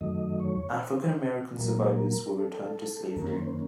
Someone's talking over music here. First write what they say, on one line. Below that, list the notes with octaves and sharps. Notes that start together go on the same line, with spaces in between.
African-American survivors were returned to slavery.
F#2 D#3 F#3 A3 D#5
C#5
C5
A#2 F#3 A#3 A#4
A4
A4
F#2 D#3 A#3 C#4 A#4
C5